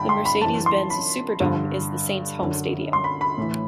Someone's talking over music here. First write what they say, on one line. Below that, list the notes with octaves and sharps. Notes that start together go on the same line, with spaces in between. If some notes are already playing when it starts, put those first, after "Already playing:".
The Mercedes-Benz Superdome is the Saints' home stadium.
Already playing: G2 D3 G5 A5 B5
C6
B5
F#2 E3 A5
C6
B5
G2 D3
F#2 D3
C6
B5
B5
A2 E3